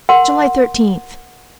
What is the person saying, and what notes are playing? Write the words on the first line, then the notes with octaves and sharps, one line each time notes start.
July Thirteenth.
A#4 F#5 C6